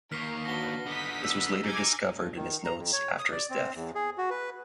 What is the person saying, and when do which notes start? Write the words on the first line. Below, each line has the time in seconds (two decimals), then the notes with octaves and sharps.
This was later discovered in his notes after his death.
0.12 D#2 A#4 C#5 F6 B6 C7
0.45 D4 F#4 B4 A#6 G7
0.86 D3 B3 D#4 D#6 B6
1.24 E6
1.63 D#4 G#5 D6 G#6
2.15 G2
2.35 D#3
2.65 A#5
2.78 F2
2.93 C#5
3.19 D#6
3.32 D5
3.50 C4
3.75 E2
3.95 G#4
4.18 F#4
4.30 B4